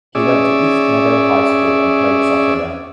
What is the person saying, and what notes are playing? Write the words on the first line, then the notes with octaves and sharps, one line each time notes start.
He went to East Meadow High School and played soccer there.
C#4 G#4 D5 E5